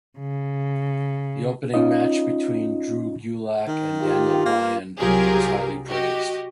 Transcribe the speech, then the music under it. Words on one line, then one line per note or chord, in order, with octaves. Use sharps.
The opening match between Drew Gulak and Daniel Bryan was highly praised.
C#3
C#4 D#4 F4 D#5
D#3
F4 G4
A#3
C2 F#3 F4 G4 G#4 A#4
F#4 G4 D#5